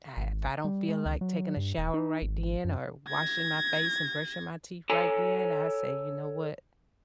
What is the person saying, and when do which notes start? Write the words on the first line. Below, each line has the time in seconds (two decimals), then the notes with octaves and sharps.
I if I don't feel like taking a shower right then or washing my face and brushing my teeth right then, I say, "You know what?
0.17 G#1
0.65 G3
0.89 G#3
1.06 C#2
1.21 F#3
1.57 G2
1.78 D#1
1.94 D#4
2.22 G#1
2.65 F#2
3.08 G#6 A#6
4.90 A4 C#5 G#5 A#5